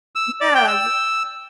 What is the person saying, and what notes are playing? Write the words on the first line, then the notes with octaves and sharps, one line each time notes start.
yeah, b
E6
D5
G5
E6